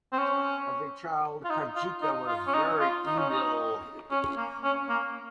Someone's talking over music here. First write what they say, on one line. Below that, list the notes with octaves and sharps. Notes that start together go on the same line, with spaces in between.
As a child, Kajika was very evil.
C4
C#4
F4
D#4
F4
D#4
F4
C#4
D#4
F4
D#4
C#4
D#4
C#4
A#3
C#4
A#3